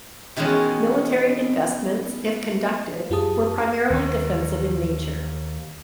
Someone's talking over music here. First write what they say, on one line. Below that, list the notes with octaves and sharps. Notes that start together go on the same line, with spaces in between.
Military investments, if conducted, were primarily defensive in nature.
B2 D#3 E3 G#3 C#4
F#2 F4 G4 G#4 A5 D#6
D#2 D#3